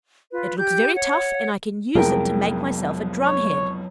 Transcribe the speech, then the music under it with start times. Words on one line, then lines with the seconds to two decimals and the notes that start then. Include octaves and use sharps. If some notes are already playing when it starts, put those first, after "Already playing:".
It looks very tough and I can use it to make myself a drumhead.
0.32 F4 B4
0.58 G4 G6
0.96 C#5 F#5
1.95 C2 F2 F#3 G#3 B3 G#4 A#4 G5
3.23 C#5